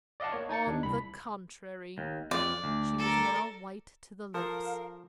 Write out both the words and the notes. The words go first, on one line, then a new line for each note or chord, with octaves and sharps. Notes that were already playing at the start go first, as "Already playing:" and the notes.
"On the contrary!" She was now white to the lips.
D5 D#5 F5 F#5 A5
A#3 C#5
D#4 G#6 A6 C#7
D#2 D4
C2 B5
D#2
F2 D5
D2
A4 A#4
F3 A4 A#4 F5